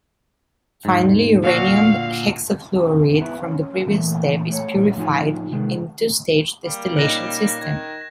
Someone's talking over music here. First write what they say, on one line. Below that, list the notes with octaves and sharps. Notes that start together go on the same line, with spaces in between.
Finally, uranium hexafluoride from the previous step is purified in a two-stage distillation system.
G#2
A#2 D3 F#4 F5
B3 E4
C#4
A#2 E3 A3
A3 C#5
A2 F3 D#4 F4 G#5
C3 D#3 G#3
G3 A#3
A#2 C#3 D#4 F#6 A#6 E7
D#3 G#6